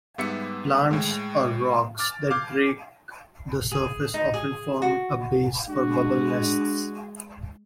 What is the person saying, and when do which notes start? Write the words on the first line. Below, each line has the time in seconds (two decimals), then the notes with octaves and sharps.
Plants or rocks that break the surface often form a base for bubble nests.
0.18 G#2 G3 B3 E5 C#7
0.91 A2 G#3
1.99 D6 F6 A6
2.30 F5 D6 F6 G6 G#6
3.72 G#4
4.14 D#4
4.34 G#4
4.82 F#4
5.69 G#3 D4 F#4